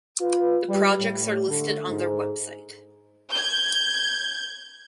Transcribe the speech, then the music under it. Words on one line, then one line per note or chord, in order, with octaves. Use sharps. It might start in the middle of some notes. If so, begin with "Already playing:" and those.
The projects are listed on their website.
F4 B4
G3
A2
D3 A3
G#2
G6 G#6